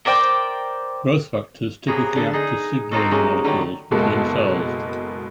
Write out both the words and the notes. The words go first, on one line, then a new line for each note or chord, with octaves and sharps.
Growth factors typically act as signaling molecules between cells.
A#4 C5 D5 G5
C3 A#3 B3 G#4 C#5 A#5
D3 A4
D#4 G#4 D#5
A#3 C4 D#4 F4 F#4 A4
C3 G#3 A#3 C#4
D3 D#3 F#3 G3 A3 A#3
F#1 B2 G#3 A#3 A4